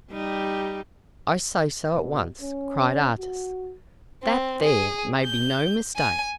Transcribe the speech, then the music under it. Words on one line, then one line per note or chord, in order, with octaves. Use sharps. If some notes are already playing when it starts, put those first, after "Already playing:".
I say so at once," cried Artis, "that there may be no mistake.
G3 D#4 G4
B2
C#4
F#4
C4
G#4
G6
G#5